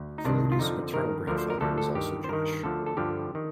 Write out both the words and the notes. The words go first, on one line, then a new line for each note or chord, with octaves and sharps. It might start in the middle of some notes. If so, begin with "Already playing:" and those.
Faludi's maternal grandfather was also Jewish.
Already playing: D2
D#4
C2 C3 D#3 D4
F4
F2 D3 F3 D#4
G2 D#3 A#4
D2 D3 F3 A#4
C5
A#4
D2 D3 F3 A4
A4
G2 D#3 G4
C5
G2 D#3 A#4
D2 D3 F3 A4
A4
G2 D3 F3 G4
D#3